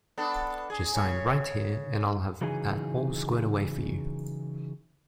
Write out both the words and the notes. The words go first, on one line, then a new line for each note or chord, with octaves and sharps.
Just sign right here and I’ll have that all squared away for you.
B3 D4 A4
G#4
C#3 C#5
C#3 E3 F#3 D#4 G#4 G#5